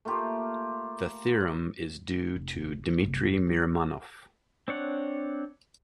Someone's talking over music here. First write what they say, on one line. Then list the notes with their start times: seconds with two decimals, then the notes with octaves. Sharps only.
The theorem is due to Dmitry Mirimanoff.
0.05 A3 A#3 F4 G4
2.36 F1
3.03 F#1 C2
3.25 E1 F#2
3.47 F#3
4.68 C4 D4 C#5 F#5